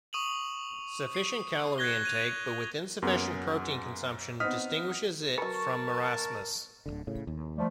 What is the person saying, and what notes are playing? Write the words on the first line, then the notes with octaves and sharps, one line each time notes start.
Sufficient calorie intake, but with insufficient protein consumption, distinguishes it from marasmus.
C#6 D#6 D#7 F7 F#7
C7
F#6 G#6 A#6 G7
G#6 D#7 F7
F#2 A#3 B3 G#4
B3 C4 D#4 D#6 F6 B6
F#3 A#4 B4 A5 C#6
D1 B1 D3
A2 C#3
D#2
F3 G3 A3